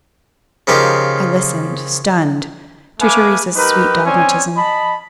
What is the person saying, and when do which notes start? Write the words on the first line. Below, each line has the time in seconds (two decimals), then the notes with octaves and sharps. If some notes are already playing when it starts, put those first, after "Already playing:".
I listened, stunned, to Theresa's sweet dogmatism.
0.67 C#3 F3 D#4 G4 A#4
3.00 A3 B4 F5 G#5 D6
3.56 D#4 G4 A#4 B4
4.06 C4 C#4 D5 G#5
4.56 D#5 A5 B5